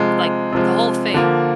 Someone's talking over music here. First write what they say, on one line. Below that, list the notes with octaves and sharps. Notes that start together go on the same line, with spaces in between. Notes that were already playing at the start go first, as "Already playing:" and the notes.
like, the whole thing,
Already playing: C3 F3 G#3
C3 F3 G#3
D3 F3 A#3